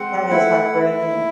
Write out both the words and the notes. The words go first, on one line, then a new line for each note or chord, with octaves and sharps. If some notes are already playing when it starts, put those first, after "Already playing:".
That is heartbreaking.
Already playing: G#3 C4 F#5
A3 E4
E4